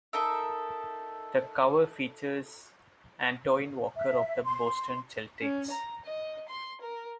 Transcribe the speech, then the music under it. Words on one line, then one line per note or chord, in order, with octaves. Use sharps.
The cover features Antoine Walker of the Boston Celtics.
D#4 A4 A#4 E5
E5
C6
C#4
A#5
D#5
C6
A#4